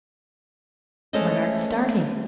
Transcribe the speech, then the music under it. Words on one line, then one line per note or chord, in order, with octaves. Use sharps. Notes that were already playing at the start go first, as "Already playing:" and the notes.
"When art starting?"
G#3 A3 C#4 A4 C5 D#5